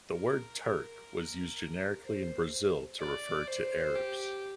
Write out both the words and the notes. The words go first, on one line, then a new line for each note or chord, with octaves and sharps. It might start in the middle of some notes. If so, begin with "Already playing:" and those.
The word "Turk" was used generically in Brazil to refer to Arabs.
A#4
A#4
C5
D5
C5
G4